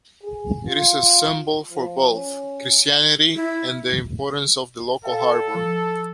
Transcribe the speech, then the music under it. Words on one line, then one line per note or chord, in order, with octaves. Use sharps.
It is a symbol for both Christianity and the importance of the local harbor.
G#4
F4
F3
C#4
E4
A4 D5 F5 G5
F3 A5